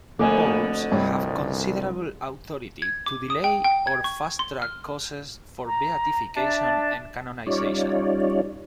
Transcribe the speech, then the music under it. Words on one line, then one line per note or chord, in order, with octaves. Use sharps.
Popes have considerable authority to delay or fast track causes for beatification and canonization.
F2 B2 D3 A3 A#3 G#5 D6
C2 G2 C#5
G#6
D6
D#6
G5
G5
G#6
C#6
C6
F6
A#5
D4 E5 A5
G3 C#4 D#4 F4 C#5 D5